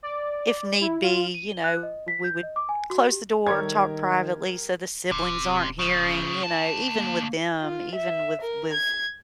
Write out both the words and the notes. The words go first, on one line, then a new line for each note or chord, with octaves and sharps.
if need be, you know, we would close the door, talk privately so the siblings aren't hearing, you know, even with them, even with with
D5
E4
F4
D#7
G7
F#6
D#5
B6
G6
D#5
D6
G#5
F#4
G4
D#3 G3 G4 A4 A#4 C#5 G#6
D1 C3
C#3 F3
D2 A5
A#3
F4
E5
A#4
G#6